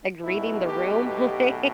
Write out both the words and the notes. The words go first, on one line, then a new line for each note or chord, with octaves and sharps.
like, reading the room, like,
B1 B2 A3 E4
G4
G4